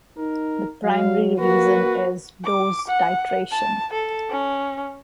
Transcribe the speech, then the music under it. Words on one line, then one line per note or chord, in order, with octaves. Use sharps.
The primary reason is dose titration.
D#4 A#4
F#3 F5
A#3 F#4 B4
D6
F#5
A5
A4
C#4